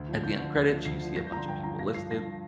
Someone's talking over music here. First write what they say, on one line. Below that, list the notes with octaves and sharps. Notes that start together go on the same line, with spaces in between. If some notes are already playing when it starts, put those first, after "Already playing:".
at the end credits, you see a bunch of people listed,
Already playing: D2
D3 F3
D2 G6
D3 F3
D2
D3 F3
D2 C7
D3 F3
G2 A#6
G6
D3 F3 A#5 C6
G2 G5
D3 F3 A#5
G2 A#6
F3 C7
G2 A#6
F3